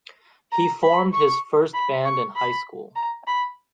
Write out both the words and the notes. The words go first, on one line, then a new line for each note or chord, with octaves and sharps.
He formed his first band in high school.
A#5
B5
C#6
B5
C#6
B5
A#5
B5